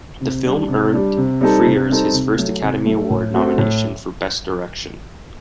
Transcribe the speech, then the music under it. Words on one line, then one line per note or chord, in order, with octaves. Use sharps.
The film earned Frears his first Academy Award nomination for best direction.
C3
G3 D4
C3
G3 D4
C3
G3 C4 D#4 A4
C3
G3 C4 D#4 A4
C3
F#3 A3
C3
F#3 A3
A2
A3 C4 F#4
A2